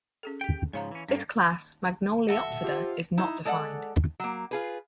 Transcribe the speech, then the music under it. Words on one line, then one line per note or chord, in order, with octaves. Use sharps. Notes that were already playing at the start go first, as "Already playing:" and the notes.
This class "Magnoliopsida" is not defined.
C#4 G#4 A4
G4 G5
G#2 C#3 F3 C#5 F5 A#5
E3 C#4
G2 A#3 C#4 A4
F#4 A4 E5
F4 G4 C5
D#4 E4
G#3 A4 D5 D#5 F#5
F#3 A#3
F4 G#4 B4